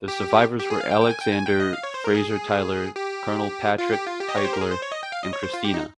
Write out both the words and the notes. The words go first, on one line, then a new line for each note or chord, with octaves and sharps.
The survivors were Alexander Fraser Tytler, Colonel Patrick Tytler, and Christina.
G4
G4
G#4
F5
G5
G5
G#5
G5
G#5
G5
D#5
F5
C#5
C5
A#4
G#4
G4
F4
G4
F4
G4
D#5
C#5
C5
A#4
G#4
C5
C#5
D#5
G5
F5
D#5
C#5
C5
F4
G4
D#4